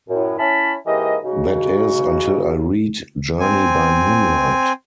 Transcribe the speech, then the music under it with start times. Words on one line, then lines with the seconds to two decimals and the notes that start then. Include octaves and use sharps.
That is, until I read "Journey by Moonlight".
0.09 F#2 A2
0.39 C#4 E4 A5 B5
0.87 G#2 E3 A#3 G4 D#5
1.24 C#3 D#4 F#4
3.40 C4 G#5